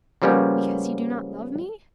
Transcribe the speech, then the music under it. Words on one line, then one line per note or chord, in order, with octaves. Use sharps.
"Because you do not love me?"
C#3 F3 G3 A#3 B3 C#4